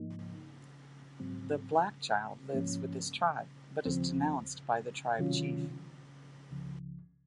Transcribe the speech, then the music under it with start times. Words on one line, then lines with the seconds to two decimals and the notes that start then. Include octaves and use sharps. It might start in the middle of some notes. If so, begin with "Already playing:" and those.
The "black child" lives with his tribe, but is denounced by the tribe chief.
Already playing: G#2 F3 A#3 D#4
1.20 G#2 F#3 C4
2.53 G#2 F3 A#3 C#4
3.85 D#2 C#3 F3 C4
5.19 C3 D#3 F#3 C#4 F4
6.51 C#2 C#3 F3